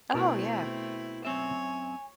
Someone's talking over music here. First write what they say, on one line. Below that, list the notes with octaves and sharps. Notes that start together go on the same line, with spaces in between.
Oh, yeah.
B2 A3 C4 E4 A#4 A5
F#2 C4 C#5 E5 G#5